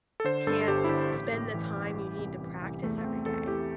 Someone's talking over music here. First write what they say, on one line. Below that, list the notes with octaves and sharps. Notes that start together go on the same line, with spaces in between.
can't spend the time you need to practice every day
A4
D3 C5
G2 A4
A4
G1 G4
E4
D3 G4
A1
A2
E3
A1
E3
C2
E3
C2
E2 A3
A3
E2 C4
E2 A4
E3 G4